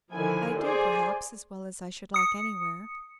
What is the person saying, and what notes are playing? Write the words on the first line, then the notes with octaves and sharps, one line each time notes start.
I do, perhaps, as well as I should like anywhere.
D3 D#3 F3 E4 G#5
G#4 C5 D5 G#5
D#6 C#7